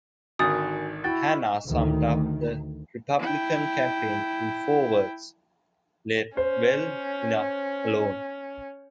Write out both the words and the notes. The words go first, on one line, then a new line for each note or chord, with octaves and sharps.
Hanna summed up the Republican campaign in four words, Let well enough alone.
G#1 D3 D#3 F#4 G#5 D#6 A6
E4 F#4 G5 A6
D2 D#3
E4 G5
C#4 C5